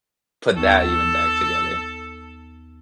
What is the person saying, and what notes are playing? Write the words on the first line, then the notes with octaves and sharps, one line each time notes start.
put that even back together.
D#2 B3 A4 C#6